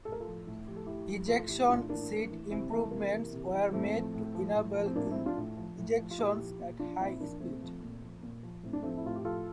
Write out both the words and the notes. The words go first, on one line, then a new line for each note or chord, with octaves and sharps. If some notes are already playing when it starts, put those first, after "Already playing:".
Ejection seat improvements were made to enable ejections at high speed.
A2 A4
A#4
F4 A4
F3
A2
F3 G4
A4
A2 E4 G4
F3
A2 F4 A4
E3 E4 G4
A2 D4 F4
E3 A#3 D4
A2
E3
C3 C4 E4
E3 A3
C3 A#3
E3
C3
E3
A2 A3 C4
F3
A2
F3
A2
F3
C4
A2 A#3 D4
C4 E4
F3
D4 F4
A2
F3
A2
F3
F4
A#2 E4 G4
F3
A#2
F3 D4 F4
A#2 C4 E4
E4
F3 A#3 D4
A#2 A3 C4
F3
A#2
F3
A#2
F3
A2 C4
D4
F3 A3 C4
E4
A2 F4
G4
F3 F4 A4